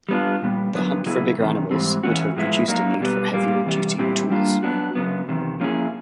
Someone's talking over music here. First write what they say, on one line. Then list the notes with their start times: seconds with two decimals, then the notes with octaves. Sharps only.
The hunt for bigger animals would have produced a need for heavier-duty tools.
0.09 G3 B3 D4 F4
0.42 A#2 G3 B3
0.74 F#2 D3 F#3 B3
1.06 C#3 F#3 B3 E4 G#4
1.38 E2 C3 D#3
1.71 G#2 E3 G3 C4
2.03 E3 A3 C#4 F#4
2.36 A2 F3 G#3 B3 E4
2.68 F#3 A#3 D#4
3.01 B2 G3 B3
3.34 A#2 G3 A#3
3.66 E2 C3 G3
3.98 A#2 G3 C4 E4 G4
4.30 G3 A#3 D4 F4
4.63 F#3 B3 D4 F#4
4.95 F#2 C#3 F#3 B3
5.28 E2 C3 D#3
5.60 F3 A#3 C#4 E4 G#4